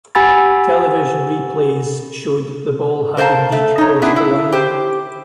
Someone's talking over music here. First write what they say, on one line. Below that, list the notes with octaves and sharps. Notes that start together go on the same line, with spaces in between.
Television replays showed the ball had indeed crossed the line.
G4 F#5 G#5 B5 E6 A6
A#4 C5 D5 F5 A5
A3
D#4 C#5
B3 C#4 D4 E4 G#4
E4
G4 C5